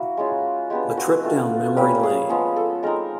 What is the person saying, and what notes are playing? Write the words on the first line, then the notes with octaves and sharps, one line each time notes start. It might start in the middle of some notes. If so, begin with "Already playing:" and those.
A trip down memory lane.
Already playing: A#3 E4 F#4
G#3 C#4 F4
G#3 B3 D4 G4
F#4
A3 C4 F4
G3 A#3 C#4 G4
G#4
F3 G#3 B3 G#4
A4
G#3 C4 D#4 A#4